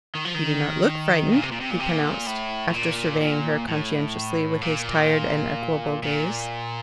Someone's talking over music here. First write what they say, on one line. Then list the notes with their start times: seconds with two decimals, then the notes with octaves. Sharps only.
"You do not look frightened," he pronounced, after surveying her conscientiously with his tired and equable gaze.
0.15 D#3
0.25 F3
0.35 D#3
1.32 A#2
1.42 C3
1.52 A#2
1.61 C3
1.71 A#2
1.80 C3
1.90 A#2
2.27 A2
2.69 A2
2.74 A#2
3.20 A#2
3.68 A2
4.61 A#2
6.03 A#2